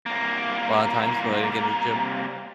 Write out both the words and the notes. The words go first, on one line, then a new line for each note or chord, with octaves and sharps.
A lotta times when I didn't get in the gym.
C2 A#3